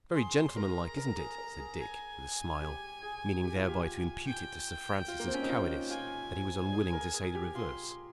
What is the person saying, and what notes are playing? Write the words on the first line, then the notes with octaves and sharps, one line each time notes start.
"Very gentlemanlike, isn't it?" said Dick, with a smile, meaning thereby to impute it to Sir Francis as cowardice that he was unwilling to say the reverse.
G#4 C6
A#4 A#5
A#4
A#4
G#4
A#4
G#4
G#5
G4
G#4
G4
F4
G4
G5
F4
A#3
C4
C#4
D#4
F4
F4 G#5
G#4
A#4
G#4
G4
F4 C6